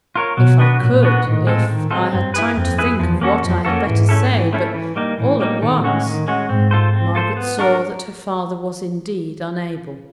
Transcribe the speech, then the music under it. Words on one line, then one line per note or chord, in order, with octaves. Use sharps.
'If I could--if I had time to think of what I had better say; but all at once---- ' Margaret saw that her father was indeed unable.
F4 A#4 C#5
B2 F#3
B3 D4 F#4 B4
A#2 F#3
B3 D4 F#4 B4
A2 D#3
G#3 C4 F4 A4
D#3
G#3 C4 F4 A4
G2 C4
E4 G#4 B4
F2 C4
E4 G#4 B4
E2 F3
A#3 C#4 F#4 A4
F2 F3
A#3 C#4 F#4 A4
G#2 E3
A3 C#4 E4 A4
E3
A3 C#4 E4 A4
E3
G3 A#3 D#4
A2 E3
G3 A#3 D#4
A2 D#3
G#3 C#4 F#4
D#3
G#3 C#4 F#4
G#2 C4
F4 A4 C5
C4
F4 A4 C5
B3
D4 F#4 A#4